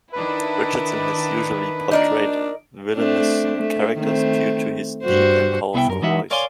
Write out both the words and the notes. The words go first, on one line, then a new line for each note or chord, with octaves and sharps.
Richardson has usually portrayed villainous characters due to his deep and powerful voice.
D#3 D4 E4 B4
D4 D#4 A#4 D5
A3 C4 D4
A3
D#3 A3 C4
G2 F#4 C5
C2 B3 E4 E5 F5 G5
F#2 A#4
E3 G#3 D#4 E4 E5 F#5
A#4 C#5 D5 F5 G#5 C6